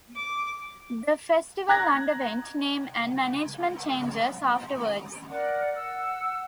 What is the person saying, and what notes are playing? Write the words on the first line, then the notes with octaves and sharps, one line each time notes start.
The festival underwent name and management changes afterwards.
D6
A#5 F#6 G#6 A#6
A#4 D5 F#5
F#5 E6